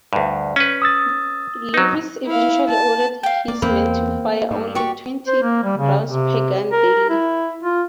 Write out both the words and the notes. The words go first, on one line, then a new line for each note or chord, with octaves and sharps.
Levis eventually ordered his men to fire only twenty rounds per gun daily.
D2 G2
C#4 B4
D#6 E6 A6
F#3 D#4
E4 F5
A5
F5 G5
A#3 D5
E2 A#3 C4 B5
G2
F#4 G4 D5 C#6
C5
A#3
G3
C#3
C3
A#4
E4
F4